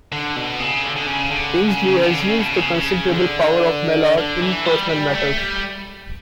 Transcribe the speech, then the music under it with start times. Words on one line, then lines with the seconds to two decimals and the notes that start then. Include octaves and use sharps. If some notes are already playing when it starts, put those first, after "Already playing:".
Tinsley has used the considerable power of Mallard in personal matters.
0.12 D3
0.36 B2
0.60 C#3
0.84 D3
0.96 D3
1.07 C#3
1.31 D3
1.68 C#3
2.03 D3
2.21 C#3
2.39 B2
2.56 C#3
2.74 C#3
3.11 D3
4.18 D3
4.42 E3
4.65 G3
4.89 G3
5.14 A3
5.37 G3